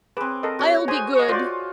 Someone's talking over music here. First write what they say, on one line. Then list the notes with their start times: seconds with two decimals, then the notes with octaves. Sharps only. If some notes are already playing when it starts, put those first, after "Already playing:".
I'll be good!'
0.17 C4 G#4 B4 D6
0.43 A4 A#4 D#5
0.59 F#4 C#5
0.88 G#4 C5 G#5 D#6
1.15 D#5 C#6
1.29 F4 F#4 C5 D5